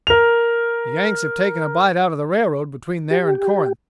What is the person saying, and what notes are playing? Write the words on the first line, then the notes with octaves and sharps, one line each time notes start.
"The Yanks have taken a bite out of the railroad between there and Corinth."
A#4 F7
G4